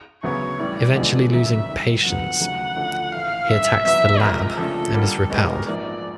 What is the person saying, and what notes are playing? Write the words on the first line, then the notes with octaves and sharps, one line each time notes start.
Eventually losing patience, he attacks the Lab and is repelled.
D2 C#3 F#3 B3 C#5
A2 E3 G3 D5
D3 F3 G#3 B3 D#4
F1 D#2 C#3 F#3 E5
F#2 D#3 G3
F2 D3 F#3 B3 F#5
D#2 C#3 F#3 A3
D2 D3 F3 A3 D4
A#1 A2 E3 F5
G#1 G2 D#3 E5
F1 E2 B2 F#3 B3 E5
C2 C3 F3 G#3 A#4
F2 C#3 F3 A3 D4 A4
D3 G3 A#3
B2 G#3 B3 D#4 G4 A#4
A#1 G#2 F3 A#3 D5